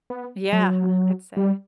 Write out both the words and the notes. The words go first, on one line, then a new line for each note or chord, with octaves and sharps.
Yeah, I'd say.
B3
F#3
G3